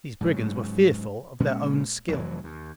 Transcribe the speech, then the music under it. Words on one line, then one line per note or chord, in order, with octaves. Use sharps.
These brigands were fearful of their own skill.
G#2 C#3 F#3
A#2 G#3 C#4
F1 F2 E3 F#3
D#2